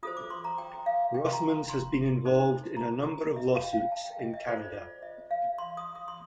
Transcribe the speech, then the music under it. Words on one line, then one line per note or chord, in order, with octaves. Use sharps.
Rothmans has been involved in a number of lawsuits in Canada.
F4 A4 C5 D#6
D6
C6
A#5
G5
F5
G5
C6
A#5
A#5
C6
D#4 A4 C5
A#5
A5
D#5
F5
G5
F5
A5
G5
D#5
D#5
F4 A4 C5 D5
D#5
F5
C6
D#6
D#6
C6